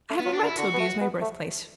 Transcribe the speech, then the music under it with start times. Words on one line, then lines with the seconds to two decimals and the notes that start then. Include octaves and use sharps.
I have a right to abuse my birth-place.
0.10 A3
0.19 B3
0.26 F#3
0.33 D4
0.42 D3
0.45 E4
0.58 D3 F#4
0.73 B3
0.80 A3
1.01 B3
1.21 A3